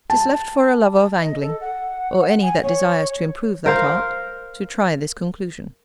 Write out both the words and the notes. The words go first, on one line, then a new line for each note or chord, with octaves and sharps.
'Tis left for a lover of angling, or any that desires to improve that art, to try this conclusion.
A5
D#5
A4
F#5
G#5
C#5
A#4 C5 F5